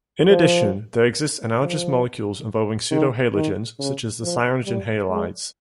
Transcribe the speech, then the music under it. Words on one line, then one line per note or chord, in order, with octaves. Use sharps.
In addition, there exist analogous molecules involving pseudohalogens, such as the cyanogen halides.
F3
F3
D#3
D#3
C#3
F3
G3
G#3